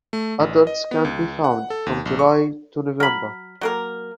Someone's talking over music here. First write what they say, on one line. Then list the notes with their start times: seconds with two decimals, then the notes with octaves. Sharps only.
Adults can be found from July to November.
0.13 A3
0.40 A1
0.67 D#5
0.91 B3
1.05 C#2
1.44 F#5
1.70 A4
1.87 D#2
2.06 A#1
2.19 C#6
3.00 F#3 B5 F6 B6
3.61 F#3 A#3 A#4